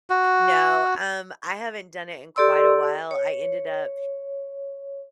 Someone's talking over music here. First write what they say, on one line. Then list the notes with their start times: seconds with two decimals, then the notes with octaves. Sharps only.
No, um, I haven't done it in quite a while, I ended up
0.10 F#4
2.36 G4 A4 D5 C6 E6
3.11 C#5